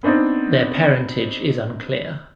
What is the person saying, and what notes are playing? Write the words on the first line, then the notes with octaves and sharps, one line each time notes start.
Their parentage is unclear.
B3 C4 D4 D#4 C5